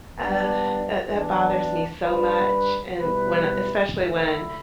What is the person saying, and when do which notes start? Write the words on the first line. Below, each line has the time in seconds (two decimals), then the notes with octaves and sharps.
Uh, that that bothers me so much, and, when I especially when,
0.18 G3 B3 D4
1.11 E3 B3 D4
2.04 G3 D4 B4
2.98 B2 G3 E4 B4
3.90 D3 A3 E4